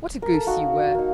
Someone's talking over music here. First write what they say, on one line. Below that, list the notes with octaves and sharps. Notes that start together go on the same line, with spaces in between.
"What a goose you were."
A#4
A4
A#3 D#4 F#4
A#3 D#4